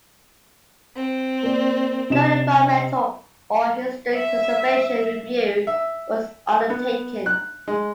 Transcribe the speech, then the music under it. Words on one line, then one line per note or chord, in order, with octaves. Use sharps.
No environmental or historic preservation review was undertaken.
C4
A#3 D5
C3 D#5 E7
E5
E5
B3
F#6
G#3